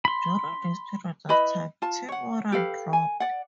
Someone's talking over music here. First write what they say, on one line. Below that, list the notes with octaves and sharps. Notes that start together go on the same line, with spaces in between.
During this period of time, team morale dropped.
B5 C6
E4 B4 D#5 B5
F4 A5
C#5 F#5
G4 A4 B4 F5
G#5
D5 F#5